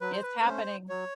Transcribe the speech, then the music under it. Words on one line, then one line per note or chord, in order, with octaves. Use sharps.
It's happening.
F#3 B4
C5
B4
B4
A3 C#4 C5
F#3 C#5